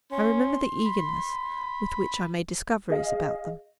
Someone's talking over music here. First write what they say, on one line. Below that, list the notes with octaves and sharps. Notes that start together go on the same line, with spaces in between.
I remember the eagerness with which I made discoveries about them.
C#4 C6
B5
G#4 D#5 F5